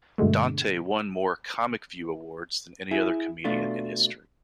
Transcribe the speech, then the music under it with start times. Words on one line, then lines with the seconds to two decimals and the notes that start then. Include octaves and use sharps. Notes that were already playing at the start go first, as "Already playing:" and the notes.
Dante won more "ComicView" awards than any other comedian in history.
0.18 G2 B2 D3 G#3 A3
2.91 E4 G#4
3.45 B2 A3 D4 F4